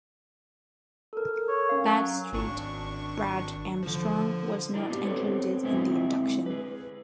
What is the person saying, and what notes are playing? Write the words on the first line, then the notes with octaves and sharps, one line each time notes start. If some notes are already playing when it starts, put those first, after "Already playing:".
Badstreet Brad Armstrong was not included in the induction.
A4 A#4
C#5
C#4 F5
F#3
G#1 D4 C#6
D3 F3
D4 E4 A#4 D5 D#5
B3 F4 G4
B3 C4 A4 B4 C#5
D3 G#3 C4 E4 D#5 G#5
G#4 B4